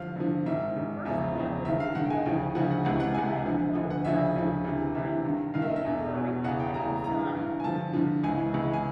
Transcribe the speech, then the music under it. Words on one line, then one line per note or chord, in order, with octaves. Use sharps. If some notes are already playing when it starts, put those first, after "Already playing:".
The first campus was built in Kirkland Lake, followed by Porcupine, Haileybury, and Moosonee.
Already playing: G2 D3 F3 F5
G2 D3 F3
G#2 D#3 E5
G#2 D#3
E2 C#3 F3 E5
E2 C#3 F3
G2 D#3 E5
F5
G2 D#3 F#5
G5
G#5
D2 C#3 F3 G5
D2 C#3 F3 F#5
F#5
C#2 C3 E3 F#5
F#5
C#2 C3 E3 G#5
D2 D3 F3
D2 D3 F3
F#5
D2 C#3 F3 E5
D2 C#3 F3
D2 C3 E3
D2 C3 E3 E5
G2 D#3
G2 D#3 F5
E5
D#5
E5
E2 B2
E2 B2
E2 C#3 E3 F#5
G5
E2 C#3 E3 A#5
G2 E3 A#5
G2 E3
G#5
G2 D3 F3 A5
G2 D3 F3
C#2 C#3 E3 G#5
C#2 C#3 E3
G#5